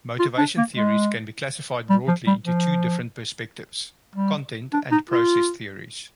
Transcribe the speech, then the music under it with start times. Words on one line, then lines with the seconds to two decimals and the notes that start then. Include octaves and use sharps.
Motivation theories can be classified broadly into two different perspectives: Content and Process theories.
0.19 F4
0.38 D4
0.57 A#3
0.76 G#3
1.90 G3
2.08 F3
2.27 G3
2.46 F3
4.15 G3
4.73 D4
4.91 D#4
5.11 F4